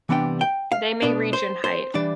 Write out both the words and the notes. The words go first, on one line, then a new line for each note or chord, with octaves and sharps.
They may reach in height.
C3 E3 G3 B3 D4 G5
G5
F5
B2 B3 D4 D5
C5
C5
E3 G3 D4 D5